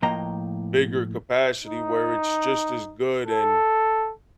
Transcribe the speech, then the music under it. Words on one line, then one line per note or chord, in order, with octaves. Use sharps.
bigger capacity where it's just as good, and
A2 F3 A#3 D#5 G5 A#5
D#4
A4